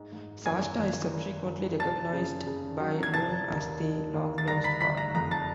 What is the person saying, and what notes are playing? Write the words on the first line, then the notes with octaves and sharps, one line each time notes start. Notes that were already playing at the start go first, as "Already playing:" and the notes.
Shasta is subsequently recognized by Lune as the long lost Cor.
Already playing: G#2
G#2
F#2 G#5 G#6
G#1
G#1
F#2
F1 A5 A6
C#3
C#3
F#3
G#6
F1 A5 A6
D#2
D#3
D#2
A6
G1 A#5 A#6
B5 B6
G1 B5 B6
A#5 A#6
F2 A#5 A#6
A5 A6